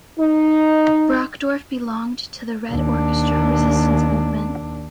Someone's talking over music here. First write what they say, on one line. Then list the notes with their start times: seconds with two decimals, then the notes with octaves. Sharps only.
Brockdorff belonged to the Red Orchestra resistance movement.
0.19 D#4
2.71 D#2 D4